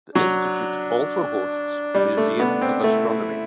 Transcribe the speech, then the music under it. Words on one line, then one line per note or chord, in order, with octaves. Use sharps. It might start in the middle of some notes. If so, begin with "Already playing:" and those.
The Institute also hosts Museum of Astronomy.
F#3 D4
G3
A3
B3
C4
A3 E4